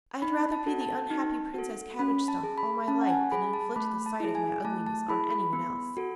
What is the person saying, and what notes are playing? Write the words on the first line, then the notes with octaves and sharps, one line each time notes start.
I had rather be the unhappy Princess Cabbage-Stalk all my life than inflict the sight of my ugliness on anyone else.'
D#4 B5
A5
F#4 A4
A5
D#4
F#4 A4
C#4 B5
A5
G#4
B5
C#4 A5
F#5
G#5
G#4 B5
A5
A3 B5
A5
E4 G#4
G#5
A3 A5
A5
E4 G#4 B5
B5
B3
F#4 A4